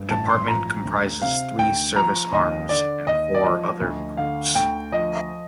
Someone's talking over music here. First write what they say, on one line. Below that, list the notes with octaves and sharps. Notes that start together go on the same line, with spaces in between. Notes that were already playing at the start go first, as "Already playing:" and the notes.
The Department comprises three service arms and four other groups.
Already playing: G2
A1 A5
C6
F3 A#5
D2
C3 F5
D2 G5
F3 A#5
D#2 D#5
D3 D5
D#2 D#5
D5
F3 D#5
D2
D3 F5
D2 G5
F3 D#5